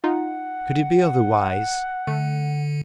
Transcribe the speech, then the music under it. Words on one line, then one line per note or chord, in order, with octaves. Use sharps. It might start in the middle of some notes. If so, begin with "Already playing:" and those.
Could it be otherwise?
D#4 F4 F#5
D3 A3